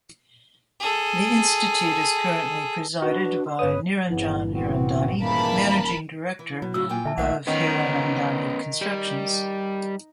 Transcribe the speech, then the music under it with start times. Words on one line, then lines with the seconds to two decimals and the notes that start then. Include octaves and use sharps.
The institute is currently presided by Niranjan Hirandani, Managing Director of Hiranandani Constructions.
0.80 G#4 A4
3.02 D4 F#4 B4
3.46 C6
3.59 G1 B4 C#5 D#6
4.10 G1 A#2 C#3 E3 B3
4.54 E3 B3 C4 F#4
5.21 D#1 G#2 E3 A#3 A#4 A5 B5
6.39 E3
6.62 B2 F#3
6.74 A2 C#3 F#4 E6
6.89 A#2 F4 G5 G#5
7.05 D3 E5 A5
7.18 B1 A#2 D#3 A3 C5 E5 F#5
7.47 D#3 B3 C#4
8.81 G3